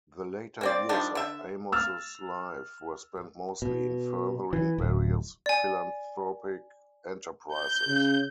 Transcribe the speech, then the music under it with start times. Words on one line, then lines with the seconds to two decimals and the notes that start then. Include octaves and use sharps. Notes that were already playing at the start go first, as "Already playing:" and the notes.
The later years of Amos's life were spent mostly in furthering various philanthropic enterprises.
0.61 A#3 C4 D5
0.89 D#3 F3 G3 D4
1.15 D3 E5
1.72 E6 F6 A6
3.62 B2
4.53 E3
4.78 D1
5.46 D5 G#5
7.54 G6
7.88 C#3